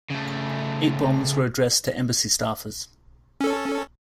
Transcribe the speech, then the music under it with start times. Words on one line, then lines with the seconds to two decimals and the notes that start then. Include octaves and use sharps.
Eight bombs were addressed to embassy staffers.
0.10 C#3 A3
3.41 C#4 A4